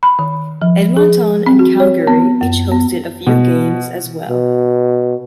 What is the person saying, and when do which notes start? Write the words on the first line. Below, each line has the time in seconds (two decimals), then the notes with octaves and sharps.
Edmonton and Calgary each hosted a few games as well.
0.03 B5
0.19 D#3
0.62 F3
0.97 G#4
1.46 C4
1.59 F#4
1.80 C#5
2.07 B3
2.41 F#2
2.72 B3
3.27 B2
4.29 B2